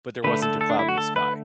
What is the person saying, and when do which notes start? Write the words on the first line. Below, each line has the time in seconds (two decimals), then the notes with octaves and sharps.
but there wasn't a cloud in the sky
0.24 D3 A3 B4
0.42 A4
0.61 A4
0.70 D4
0.79 E4
0.89 F#4
0.98 A4
1.16 B4